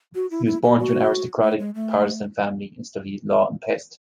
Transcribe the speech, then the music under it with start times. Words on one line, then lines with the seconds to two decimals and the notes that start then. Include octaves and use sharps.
He was born to an aristocratic Protestant family, and studied law in Pest.
0.15 F#4
0.31 E4
0.47 E4
0.63 F#4
0.79 F#4
1.42 A3
1.59 G#3
1.75 A3